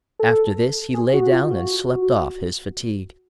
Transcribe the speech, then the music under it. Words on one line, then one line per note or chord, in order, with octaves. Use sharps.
After this he lay down and slept off his fatigue.
A4
G#4
F#4
F4
F#4